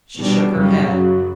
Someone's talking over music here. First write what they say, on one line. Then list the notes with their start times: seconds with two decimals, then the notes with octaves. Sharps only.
She shook her head.
0.18 B2 G3 D4
0.52 F#2 C#3 G3 C#4
0.85 F#2 C#3 F#3